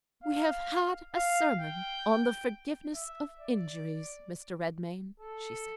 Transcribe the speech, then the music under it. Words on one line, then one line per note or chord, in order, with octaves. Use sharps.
"We have had a sermon on the forgiveness of injuries, Mr. Redmain," she said.
F5
F5
G5
E5
D5
A4